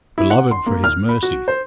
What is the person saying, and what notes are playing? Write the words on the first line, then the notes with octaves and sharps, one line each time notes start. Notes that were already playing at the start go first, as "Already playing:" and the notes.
Beloved for his mercy!
E4
F#5
C6
A#3
F6
B5
F#4
C5